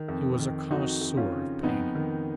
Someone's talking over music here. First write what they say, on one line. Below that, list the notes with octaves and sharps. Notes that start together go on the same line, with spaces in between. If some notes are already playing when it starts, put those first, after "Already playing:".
He was a connoisseur of painting.
Already playing: D#3
F2
D#3
F2 D#4 F#4
F2
C#4 F4
C#3
F2 B3 D#4
D#3